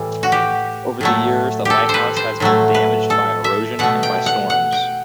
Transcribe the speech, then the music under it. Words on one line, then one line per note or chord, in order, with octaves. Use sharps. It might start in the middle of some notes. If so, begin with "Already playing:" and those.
Over the years, the Lighthouse has been damaged by erosion and by storms.
Already playing: A2 E3 G3
F#4
G4
A2 F#3 A3
G4 A4
C5
B4
C5
A2 F#3 A3
B4
A4
E5
B2 A3 F#5
G5
F#5
F#5
G5